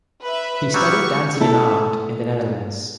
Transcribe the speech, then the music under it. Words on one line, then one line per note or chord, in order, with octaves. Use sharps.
He studied dancing and art in the Netherlands.
B4 E5
F#3 G3 C#6
A3 E4 A4